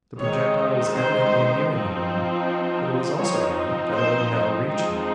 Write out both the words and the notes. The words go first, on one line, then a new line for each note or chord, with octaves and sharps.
The projectile was evidently nearing the moon, but it was also evident that it would never reach her.
D#3 G#3 C4 D#4 C#5
C5
F3 C4 D#4
F3 C4 D#4 C#5
C5
F3 G#3 C4 D#4